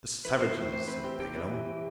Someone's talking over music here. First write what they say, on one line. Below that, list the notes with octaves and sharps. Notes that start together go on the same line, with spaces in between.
"The savages," said Paganel.
E3 B4
C4 C5
A2 C5
E3 C5
C4 B4
C4 G4
C3 G4
E3
E4
E4